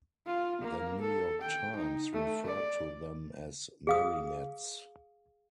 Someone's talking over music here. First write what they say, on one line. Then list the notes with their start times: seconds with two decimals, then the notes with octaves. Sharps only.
The "New York Times" referred to them as "'Marinettes'".
0.27 F4
0.61 A#3
1.01 A4
1.42 G5
1.76 D#4
2.13 A3
2.46 D5
3.87 G#4 F5 D#6